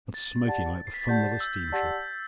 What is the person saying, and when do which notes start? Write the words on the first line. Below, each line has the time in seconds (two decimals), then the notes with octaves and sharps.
And smoking like the funnel of a steamship!
0.14 A6
0.45 G4 D5 F#5 A5
0.87 C7
0.94 B6
1.01 A6
1.09 G4 D5 F#5 A5 G6
1.40 E6
1.72 G4 D5 F#5 A5